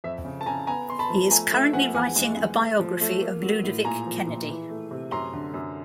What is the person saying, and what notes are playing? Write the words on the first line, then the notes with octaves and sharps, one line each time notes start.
He is currently writing a biography of Ludovic Kennedy.
F2 E5
C#3
A5
C#3 G#5 A#5
B3 G#5 A#5
B3 C6
A5 B5
F3
A3 G#5 A#5
A3 E5
F3 F#5 G#5
E2 F#5 G#5
G#3
G#3
A3
F3
A3
A#3
F#3
A2
A#2 G#5 A#5
F3
A#2
E3
A3
C3
F#2 A#5 C6
D3
F#2